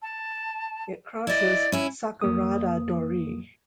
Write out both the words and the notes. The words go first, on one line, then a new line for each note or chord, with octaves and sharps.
It crosses Sakurada Dori.
A5
E4 D5 D#5
C#4 E4
F2 A#3 D#6